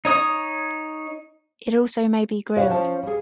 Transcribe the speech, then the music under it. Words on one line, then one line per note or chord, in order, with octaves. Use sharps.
It also may be grilled.
D#4 C#5 D#6
E4 G4 C#5 F5 F#5
F3 C#4 A5
G3 G#4